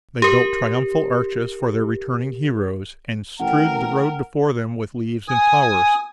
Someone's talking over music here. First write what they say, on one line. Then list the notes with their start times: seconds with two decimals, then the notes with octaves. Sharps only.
They built triumphal arches for their returning heroes, and strewed the road before them with leaves and flowers.
0.22 G4 A#4
3.40 A1 A#4 F#5 G5
5.28 G#5 D#6